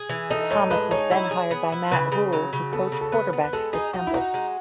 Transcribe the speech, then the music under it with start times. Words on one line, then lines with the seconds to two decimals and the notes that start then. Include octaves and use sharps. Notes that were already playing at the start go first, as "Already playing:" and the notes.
Thomas was then hired by Matt Rhule to coach quarterbacks for Temple.
Already playing: G#4
0.10 E3
0.30 D#4 A4
0.51 A2 C#5
0.70 G#3 B4
0.91 D#4 C#5
1.11 E4
1.31 G#4
1.51 B3
1.72 E4
1.91 C#3 B4
2.12 C#3
2.33 F#3
2.53 C#3
2.73 B3 A4
2.92 C#3
3.01 A4
3.12 B3 B4
3.33 B3
3.43 B4
3.53 G#3 A4
3.73 D#4 G#4
3.93 D#4 F#4
4.07 E4
4.14 D#4 F#4
4.34 G#3